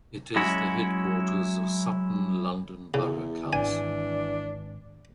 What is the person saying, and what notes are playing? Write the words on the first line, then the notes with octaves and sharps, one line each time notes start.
It is the headquarters of Sutton London Borough Council.
F#3 G#3 C#4 E4 F#4
E2 C#3
G#1 E3 D4 G#5